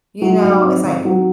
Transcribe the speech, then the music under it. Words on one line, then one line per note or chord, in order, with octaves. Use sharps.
you know, it's like
F#3
G#2
C4
D#3
F#3